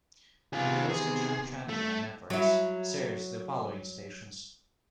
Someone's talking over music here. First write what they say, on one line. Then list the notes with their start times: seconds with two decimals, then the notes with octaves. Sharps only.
The Euskotren Tranbia networks serves the following stations.
0.53 C3 D#3 B3 F4 G#4
0.89 G#4
1.69 A3
2.30 F#3 E4